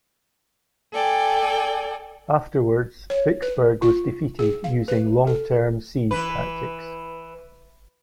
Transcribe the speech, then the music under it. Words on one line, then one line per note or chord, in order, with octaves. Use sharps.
Afterwards Vicksburg was defeated using long term siege tactics.
A4 D5 G5 G#5
C#5
B4
F4
G#4
F5
B4
A4
E3 B4